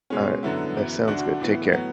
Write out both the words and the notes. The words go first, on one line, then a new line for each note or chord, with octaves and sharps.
Alright. That sounds good. Take care.
B2 G#3 C#4
F#2 D3 F#3 B3 E4
F#2 E3 B3
D2 D3 A3 D4 F#4
A2 E3 B3
A2 F#3 B3